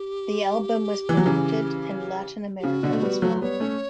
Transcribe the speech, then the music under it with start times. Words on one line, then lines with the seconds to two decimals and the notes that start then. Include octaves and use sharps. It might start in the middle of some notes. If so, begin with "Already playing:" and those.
The album was promoted in Latin America as well.
Already playing: G4
1.09 E3
1.17 F#3
1.26 C#3 E3
2.59 G4
2.63 C#3 F#4
2.83 B2 D3
2.93 A3
3.02 G3 B3
3.22 F#3 A3
3.41 G3 B3 C#5
3.60 A3 C#4